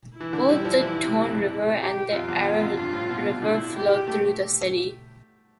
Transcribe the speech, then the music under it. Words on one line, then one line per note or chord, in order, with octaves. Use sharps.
Both the Tone River and the Ara River flow through the city.
E3 E4
D3
G3
F3
E3
C3
F2
G4
F2 F4
E2
F2
F2
G2
A2
B2
C3
D3 E4
G4
A3